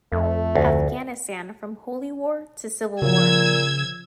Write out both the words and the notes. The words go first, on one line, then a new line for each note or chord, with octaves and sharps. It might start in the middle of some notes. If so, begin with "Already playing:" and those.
"Afghanistan: From Holy War to Civil War".
F2 A3
D2
A#2 C#3 F3 E6 G#6